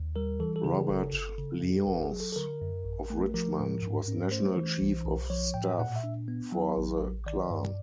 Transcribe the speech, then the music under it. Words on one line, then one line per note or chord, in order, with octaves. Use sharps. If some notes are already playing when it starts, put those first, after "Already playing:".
Robert Lyons, of Richmond, was national chief of staff for the Klan.
Already playing: D#2
G3 A#4
E3 A4
A4
C#3 G#4
G1 A4
G1
C#3
F#2
G1 A#4
G#4
F#3
A4
A4
D3 A#4
F#2
A1
A3
F3 A#4
A2
G#2
C#4
A3 C5
E3
B1
B1
F3 C#5
A2 G5
A#2 F#5
E5
D4
B3
F#3
A1
A1
D#3 D5
G2